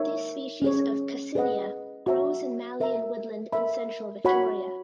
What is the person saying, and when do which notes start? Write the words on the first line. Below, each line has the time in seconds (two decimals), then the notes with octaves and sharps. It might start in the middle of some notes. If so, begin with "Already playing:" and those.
This species of "Cassinia" grows in mallee and woodland in central Victoria.
Already playing: D#4 A#4 C#5 E5
0.62 C#4 G#4 C#5
1.35 G#4 B4 D#5 F#5
2.07 F#4 C#5 E5 A#5
2.80 A#4 E5 A#5
3.52 A#4 E5 B5
4.25 F#4 C#5 F#5 B5